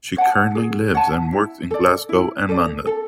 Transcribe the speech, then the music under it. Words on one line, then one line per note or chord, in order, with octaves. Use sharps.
She currently lives and works in Glasgow and London.
C#5 F#5 A5
G#4
C#5 F#5 A5
E4
A4 D5
E4
A4 D5
A4